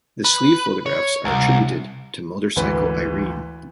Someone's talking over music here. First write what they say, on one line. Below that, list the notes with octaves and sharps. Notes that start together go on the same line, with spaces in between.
The sleeve photographs are attributed to Motorcycle Irene.
B4
C#5
C2
G#1 D2 E3 B4